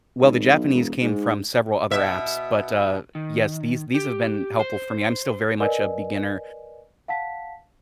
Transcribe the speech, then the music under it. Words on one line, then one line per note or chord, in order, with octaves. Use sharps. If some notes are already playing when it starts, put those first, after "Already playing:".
Well, the Japanese came from several other apps, but, uh, yes, these these have been helpful for me, I'm still very much a beginner
G#1
B1
E1
G#2
B2 E5
D#3
G4
C5
A#4 B4 D5 D#5 G#5
F5 F#5 A5 B6